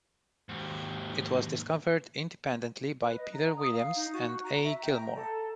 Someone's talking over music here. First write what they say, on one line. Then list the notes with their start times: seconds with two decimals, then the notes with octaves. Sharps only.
It was discovered independently by Peter Williams and A. Gilmore.
0.49 D#2 G#2
3.04 B4
3.17 D#5
3.34 A#5
3.57 D#6
3.73 F5
3.96 D#4
4.13 F#4
4.44 A#5
4.64 E5
4.82 G5
4.95 A#5
5.15 A4